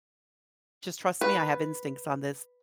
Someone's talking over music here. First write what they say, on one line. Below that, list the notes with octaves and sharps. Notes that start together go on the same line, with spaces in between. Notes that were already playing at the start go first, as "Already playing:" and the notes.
"Just trust me. I have instincts on this
B4